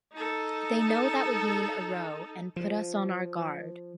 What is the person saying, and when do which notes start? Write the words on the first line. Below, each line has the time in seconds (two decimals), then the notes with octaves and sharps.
They know that would mean a row and put us on our guard.
0.13 D#4 A4
2.56 F3